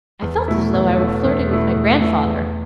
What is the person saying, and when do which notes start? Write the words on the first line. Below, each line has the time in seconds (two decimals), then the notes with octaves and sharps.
I felt as though I were flirting with my grandfather.
0.22 E2
0.48 B2 A3 E4
0.74 E2
0.99 B2 A3 E4
1.24 E2
1.50 B2 A3 E4
1.74 E2
2.00 B2 A3 E4
2.25 E2